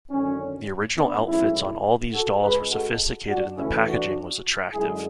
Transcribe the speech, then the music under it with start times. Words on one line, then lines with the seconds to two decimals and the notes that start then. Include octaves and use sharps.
The original outfits on all these dolls were sophisticated and the packaging was attractive.
0.10 G#1 F#2 D3 C#4
0.97 B3 D4
1.26 B1 A2 G#3 C#4 E4
2.13 F#4 A4
2.42 C#2 C#3 G#3 G#4 B4
2.70 F#4 A4
3.29 D4 F#4
3.57 D2 C#3 E3 A3 C#4 E4
3.87 D4 F#4
4.73 F#2 D3 G#3 E4 G#4